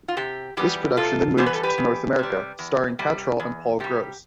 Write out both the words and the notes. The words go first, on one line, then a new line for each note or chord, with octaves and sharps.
This production then moved to North America, starring Cattrall and Paul Gross.
F4
C3 G4
E3 G3 B3 G4
C3 F4 A4
E3 G3 B3 C5
B4
A4
G4 B4
E2
C3 G3
E2
C3 G3
E2
C3 G3 G4